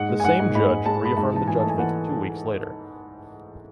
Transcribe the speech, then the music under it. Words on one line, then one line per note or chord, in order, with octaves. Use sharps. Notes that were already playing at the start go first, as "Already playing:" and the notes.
The same judge reaffirmed the judgment two weeks later.
Already playing: G#2 F#5
G#3
G#5
G#2 F#5
G#2
G#2 B5
G#2
G#3 A5
G#3 B5
G#2 A5
E3 A5
E3 G#5
A3 A5
G#5
E3 F#5